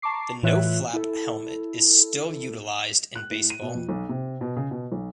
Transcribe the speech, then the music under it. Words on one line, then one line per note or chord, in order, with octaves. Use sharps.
The no-flap helmet is still utilized in baseball.
A5 A#5 C#6 D6 C7
A2 E3 F4 C#5 E5 F#6
E4 A4
F#6
A2
D#7
B2
F2
B1
C3
B2
C#3
B2
B1